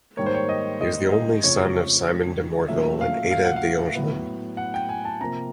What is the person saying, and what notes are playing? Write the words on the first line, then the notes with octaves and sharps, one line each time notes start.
He was the only son of Simon de Morville and Ada d’Engaine.
G#2 D#3 G3 A#3 C#5
C5
C#5
D#5
D#5
D#5
F2 C#3 F3 A3 C#5
A#2 F#3 A3 C#4 E5
F5
F5
F#5
F5
A2 F#3 B3
F#5
G5
G#5
A5
C3 F3 A#3 A#5